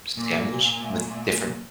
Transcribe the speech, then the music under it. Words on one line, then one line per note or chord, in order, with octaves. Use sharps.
s sandwich with different
A#2 A#3
A3
A3
A3
A#3